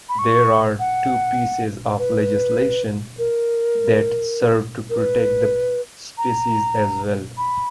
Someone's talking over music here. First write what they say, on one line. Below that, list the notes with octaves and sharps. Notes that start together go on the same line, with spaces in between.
There are two pieces of legislation that serve to protect the species as well.
B5
C#6
F#5
B4
A#4
A#4
B4
A#5
B5